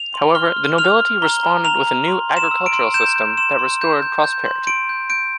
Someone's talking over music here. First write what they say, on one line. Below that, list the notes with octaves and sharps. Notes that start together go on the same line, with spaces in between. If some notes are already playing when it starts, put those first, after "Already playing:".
However the nobility responded with a new agricultural system that restored prosperity.
Already playing: F7
C6
F6 G7
F6
F6 F7
F6
A#5 G7
A#5
A#5 F7
A#5
C6
C6
E7
E6
D7
C6
G6 E7
G6
C6 E7
C6
G6
G6
G6
C6
C6 D7
G6
G6 D7